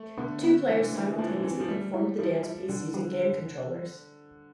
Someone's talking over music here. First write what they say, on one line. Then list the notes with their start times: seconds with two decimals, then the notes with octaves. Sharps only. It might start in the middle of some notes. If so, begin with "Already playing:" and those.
Two players simultaneously performed the dance piece using game controllers.
Already playing: A3
0.18 D3 B3
0.44 B3
0.68 E3 A3
0.81 D3
0.93 E3 A3
1.18 F3 A3
1.27 E3
1.35 D3
1.43 E3 C4
1.60 F3
1.68 G3 A3
1.94 E4
2.19 F3 E4
2.43 E4
2.69 D3 G3
2.94 G3